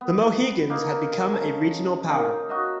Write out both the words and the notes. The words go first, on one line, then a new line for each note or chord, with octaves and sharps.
The Mohegans had become a regional power.
B3
A#3 D#4 A#4
C#3 A5
A#3 D#4 F4
F#4 D#5 E5